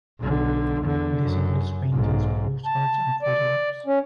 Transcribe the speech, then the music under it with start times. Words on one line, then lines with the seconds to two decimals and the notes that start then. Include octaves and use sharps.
This includes paintings, postcards and photographs.
0.19 B1 D3
0.82 E2 D3
1.22 F#2
1.91 B1 G#2
2.65 A5
3.22 D5
3.86 C#4